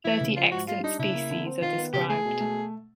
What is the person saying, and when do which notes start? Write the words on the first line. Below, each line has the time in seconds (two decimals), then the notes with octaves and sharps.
Thirty extant species are described.
0.05 E3 E4
0.21 C#3
0.36 F3 F4
0.51 G#2 F#4
0.67 G3 F4
0.84 D4 D#4
0.99 C#3 E4
1.15 A#3
1.30 D3
1.46 C4
1.62 D#3 F4
1.78 B3
1.93 C#3 G4
2.09 A3 G#4
2.25 B2
2.41 A3